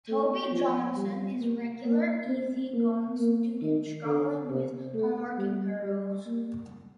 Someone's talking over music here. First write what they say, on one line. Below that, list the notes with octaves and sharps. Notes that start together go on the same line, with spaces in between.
Toby Johnson is regular easy-going student struggling with homework and girls.
A3
F3
G3
A#3
A#3
C4
A#3
A#3
D#3
D3
C3
A3
G3
G3
A#3